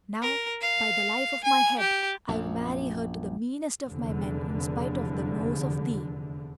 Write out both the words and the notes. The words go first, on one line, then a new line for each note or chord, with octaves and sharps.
Now, by the life of my head I will marry her to the meanest of my men in spite of the nose of thee!
A#4
F5
G#5
G4
A#1 F#2
F1 E2 D3